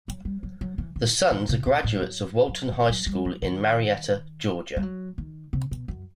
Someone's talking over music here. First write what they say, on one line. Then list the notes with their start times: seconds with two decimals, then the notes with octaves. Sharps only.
The sons are graduates of Walton High School in Marietta, Georgia.
0.08 F#3
0.25 G3
0.43 F#3
0.61 F#3
0.78 E3
0.96 D#3
1.31 D#3
1.49 C3
1.66 B2
1.84 A2
2.01 F#3
2.48 F#3
2.72 E3
2.90 F#3
3.06 G3
3.25 F#3
3.42 D#3
4.76 G3
4.82 F#3
5.18 D#3
5.53 C3
5.71 B2
5.88 F#2